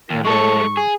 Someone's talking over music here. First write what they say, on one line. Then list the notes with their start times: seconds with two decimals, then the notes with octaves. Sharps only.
and, um,
0.11 D#2
0.25 G#3 A4 C#6
0.77 G#4